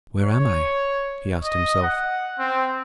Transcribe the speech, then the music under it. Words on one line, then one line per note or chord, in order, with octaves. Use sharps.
"Where am I?" he asked himself.
C#5
D#5
F#5
C4